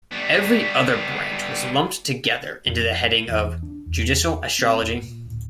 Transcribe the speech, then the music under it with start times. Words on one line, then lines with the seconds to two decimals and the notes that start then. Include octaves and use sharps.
Every other branch was lumped together into the heading of 'judicial astrology'.
0.12 G3 B3
2.66 F2
3.28 E2
3.63 D4
3.86 E2
4.59 C4
4.79 E1
4.98 A#2
5.26 D1